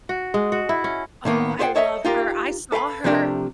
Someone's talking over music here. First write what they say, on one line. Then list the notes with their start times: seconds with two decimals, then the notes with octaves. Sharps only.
Oh, I love her, I saw her,
0.09 F#4
0.34 G#3
0.52 F#4
0.69 E4
0.84 C#4
1.25 A2 D#3 A#3 B3
1.59 F4 G#4 C5 C#5 F#5 G5
1.75 A4 C#5 D#5 E5 F#5 A#5
2.05 D#4 F4 G4 A#4
2.72 A4 B4 F5 G5 B5
3.04 C3 F3 A3 D4 G4 A#4